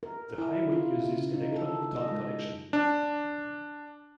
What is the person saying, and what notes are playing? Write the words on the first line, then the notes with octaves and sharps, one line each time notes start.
The highway uses electronic toll collection.
A#4
E4
F4
C#3
D#4
A4
D#5
G#3
D4